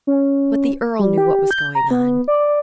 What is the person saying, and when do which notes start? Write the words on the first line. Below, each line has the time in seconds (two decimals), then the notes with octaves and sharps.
But the earl knew what was going on.
0.07 C#4
0.99 G3
1.18 G4
1.51 G6
1.75 A#5
1.91 B3
2.28 D5